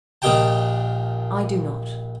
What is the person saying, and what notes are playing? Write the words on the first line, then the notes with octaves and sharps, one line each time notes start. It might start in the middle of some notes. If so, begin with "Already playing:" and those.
I do not.
A#1 A#2 D#4 G4 G5 A5